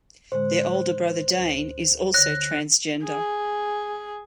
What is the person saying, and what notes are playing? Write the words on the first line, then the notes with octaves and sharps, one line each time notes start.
Their older brother Dane is also transgender.
A2 D3 G#3 C5
D2
D3 C#5 F#6 A#6
G#4